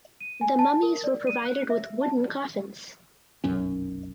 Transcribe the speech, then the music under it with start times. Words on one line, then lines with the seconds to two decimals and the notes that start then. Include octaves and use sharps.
The mummies were provided with wooden coffins.
0.21 D#7
0.41 G#5
0.59 A5
0.83 A#4
1.04 D5
1.27 D#7
1.45 F#6
1.70 E5
2.01 A5
3.44 F1 B1 F#2 C#4